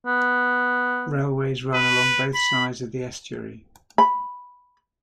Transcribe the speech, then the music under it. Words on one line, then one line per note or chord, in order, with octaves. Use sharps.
Railways run along both sides of the estuary.
B3
B4
B5
B5